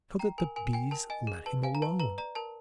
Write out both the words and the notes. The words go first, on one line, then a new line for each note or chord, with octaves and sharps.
So that the bees let him alone!
G5 A#5
A#4 G#5
A#4 G#5
G5 G#5
A#4 A5
D#5 G#5
G#4
B4 A5
F5 G#5
A#5
B4 A5
B4 A#5
D5 A#5
A#4 A5